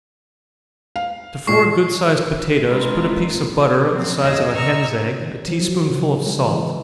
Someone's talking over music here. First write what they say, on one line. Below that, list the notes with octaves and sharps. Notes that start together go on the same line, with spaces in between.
To four good-sized potatoes, put a piece of butter, of the size of a hen's egg, a tea-spoonful of salt.
F5
A#2 G#3 C#6 C7
G#3 C4 D4 F4 A#4 B4
A#2
F3 F#3 G#3 A#3 C4
D#2 C3 G#4 D#5 E6 A#6
D#5 A#5 C#6 E6 F6
F3
F#3
C#3
G#3
E3